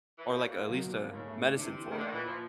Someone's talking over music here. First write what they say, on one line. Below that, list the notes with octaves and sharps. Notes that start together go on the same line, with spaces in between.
Or, like, at least a medicine for it.
E3
F3 A#3
G3
F#3 A#3
E3
F3 A#3
D#3 F#3
B2
D3
A#3
G#2 C#3
A3
D4
C3 E3
E3
A3
D#3
D3 A#3
D#3
A#2 E3
A#2 F3